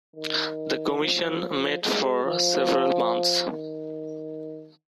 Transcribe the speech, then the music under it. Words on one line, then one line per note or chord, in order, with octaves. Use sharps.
The commission met for several months.
D#3
F3
G#3
F3
D#3